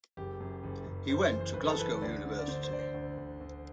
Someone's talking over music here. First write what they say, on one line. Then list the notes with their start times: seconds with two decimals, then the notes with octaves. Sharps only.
He went to Glasgow University.
0.17 F#1 G4
0.40 F#2
0.63 F#1
0.86 F#1
1.09 F#1 C5
1.25 C5
1.32 E3
1.41 C5
1.54 F#1 B4
1.67 A4
1.79 E3 B4
2.02 D2 D5
2.25 D3
2.39 D5
2.48 D3 C5
2.63 C5
2.71 D2 D5
2.79 C5
2.94 D2
3.17 D2
3.40 D2